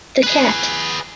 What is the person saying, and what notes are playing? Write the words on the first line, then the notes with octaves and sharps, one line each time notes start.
The Cat.
G#4 B4